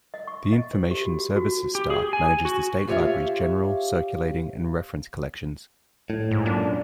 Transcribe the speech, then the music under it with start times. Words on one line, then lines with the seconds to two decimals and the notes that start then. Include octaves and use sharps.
The Information Services staff manages the State Library's general, circulating and reference collections.
0.14 D#5
0.27 C#6
0.52 D#5
0.73 C5
0.91 G4
1.05 F#4
1.20 G4
1.36 F#4
1.75 G4
1.90 G#4
2.13 G#5
2.45 F#4
2.87 F4 G4 C#5 E5 F5
6.10 A2
6.31 G#2
6.46 F#2 A#2 D4